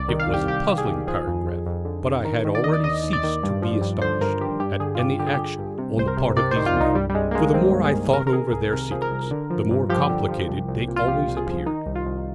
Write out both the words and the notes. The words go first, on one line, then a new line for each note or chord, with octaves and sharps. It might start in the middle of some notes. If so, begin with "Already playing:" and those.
It was a puzzling paragraph, but I had already ceased to be astonished at any action on the part of these men, for the more I thought over their secrets, the more complicated they always appeared.
Already playing: C2 D5
D#3
F5
C2 G4
C2 G4
C2
G#4
D#3
F3 G#4
F2
F2
F2
D3
D3
D#3 A#4
D#3
D5
D#2 D#5
D5
D#2 D#5
D#2
D5
D#3
G2
F3
G2
D3 C5
G2 A#4
G2 G4
G2 G4
D3 G#4
F4
G2 G4
D3 G4
G#4
D3 G4
G2
C3
C2 C5
A#4
C3
C3 D5
D#3 C5
F4
C2 D#4
G2 G3
G3
G2 G#3
A#3
G2 G#3
D#3 C4
G2
G#4
D#3
C3 A#4
A#4
C3 G#4
C2 G#4
C3 A#4
F3 G#4
A#4
C2
D3
F3
G2
F3 G4
D3
F3
C2
C2
A#2
F4
C2 G4
C2
G#4
F3
D#3 D#4
C2
F4
C2